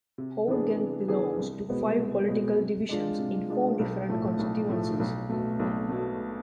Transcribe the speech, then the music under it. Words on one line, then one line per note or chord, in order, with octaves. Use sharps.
Hougang belongs to five political divisions in four different constituencies.
C3
E3 B3 D4 G#4
C3
E3 B3 D4 G#4
C2
B2 G#3 B3
C2
B2 G#3 B3
C3
G#3 D4 F4
C3
G#3 D4 F4
B1
A2 F3 A3
B1
A2 F3 A3
B1
B2 A3
B1
B2 A3